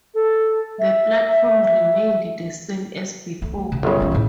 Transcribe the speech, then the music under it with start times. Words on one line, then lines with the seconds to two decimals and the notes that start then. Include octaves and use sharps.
The platform remained the same as before.
0.14 A4
0.79 E5
3.42 A3
3.72 C#3
3.83 G1 C#3 F#3
4.00 E3 C#4
4.11 A2 D#3